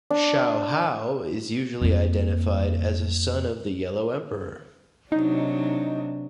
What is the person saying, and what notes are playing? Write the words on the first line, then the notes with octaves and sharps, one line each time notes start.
Shaohao is usually identified as a son of the Yellow Emperor.
D4
F2 A#3
C3 F#3 D4 D#4